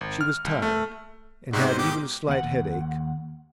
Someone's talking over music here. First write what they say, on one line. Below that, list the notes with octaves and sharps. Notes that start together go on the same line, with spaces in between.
She was tired, and had even a slight headache.
G#1
F6
C2
A3
G#2 B2 G3 G#3 F#4
C5
G4
D#2 F#5